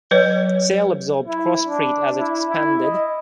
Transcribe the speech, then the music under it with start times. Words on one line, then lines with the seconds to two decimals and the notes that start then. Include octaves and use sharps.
Sale absorbed Cross Street as it expanded.
0.11 F#3 B4 C#5
1.27 E4
1.66 D4
2.19 E4
2.49 E4
2.81 D#5